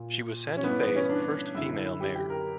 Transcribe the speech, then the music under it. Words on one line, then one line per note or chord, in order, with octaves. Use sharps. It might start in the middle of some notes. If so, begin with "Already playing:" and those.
She was Santa Fe's first female mayor.
Already playing: A#2
C#4
G2 E3 B3
B3
C#4
D4
F#2 D3 E4
E4
E4
G4
G4
A#4